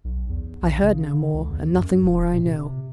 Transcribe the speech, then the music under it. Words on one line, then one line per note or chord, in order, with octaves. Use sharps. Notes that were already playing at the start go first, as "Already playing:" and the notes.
I heard no more, and nothing more I know.
B1
E2
A#1
C#3
D3
C#2
E2
F#2
E1
A#2
C3